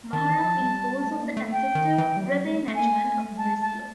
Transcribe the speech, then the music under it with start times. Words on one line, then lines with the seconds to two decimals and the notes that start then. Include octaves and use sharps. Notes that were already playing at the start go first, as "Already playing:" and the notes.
Maharal is also the ancestor of Rebbe Nachman of Breslov.
0.13 D#3 A5
0.29 E3
0.44 F3
0.60 G3
1.05 A3
1.21 A#3
1.37 A3
1.52 G5
1.75 D#3
1.98 E3
2.17 G3
2.22 F#3
2.45 G#3
2.57 A3
2.68 A3
2.76 A#3 G#5
2.92 A3
3.38 G#3 A5
3.61 A3 A5